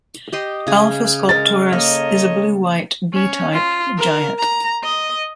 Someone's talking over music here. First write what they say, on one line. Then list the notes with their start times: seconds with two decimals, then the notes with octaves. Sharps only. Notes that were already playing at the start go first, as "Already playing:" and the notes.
Alpha Sculptoris is a blue-white B-type giant.
0.32 G4 D#5 C6
0.67 C#3 G#4
1.29 G#3 A#4 A6
1.73 A#3 A4 C#5 D#5
3.14 C#4
3.53 F4
3.98 A#4
4.39 A#5
4.84 D#5